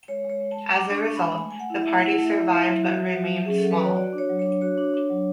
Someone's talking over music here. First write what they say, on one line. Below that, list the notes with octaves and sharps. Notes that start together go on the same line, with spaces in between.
As a result, the party survived but remained small.
G#3 C#5
G#3
C#5
G#3
A5
G#3
G#3 D6
D4
C#6
G#3
B5
G#3
A3 G#5
G#5
A3
F#5
E4
A3 E5
E4 F#5
A3
E5
E4
E5
E4
F#3
F#4
F#4
F#3
F#3
C#4 G#4
A4
F#3
B4
F#4 C#5
F#4 D5
D4
C#5
F#3
C#5
D4
F#4 C#5
D4
D4
F#3